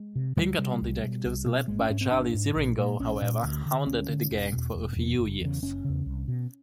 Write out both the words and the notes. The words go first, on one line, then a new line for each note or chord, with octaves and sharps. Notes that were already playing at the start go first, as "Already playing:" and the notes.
Pinkerton detectives led by Charlie Siringo, however, hounded the gang for a few years.
Already playing: G#3
C3
D2 G3
C3 G3
C2
B2
C2
B2
G#1 G#3
C#4
G#2 C#4
C4
G#1 D4
G#2
A#1
A#2
A#1 C#4
A#2
D2
D3
D2 C#4
D3
E1
E2 B2
E1
E2 B2
F#1
E2 C#3
F#1 C#4
E2 C#3
C2
B2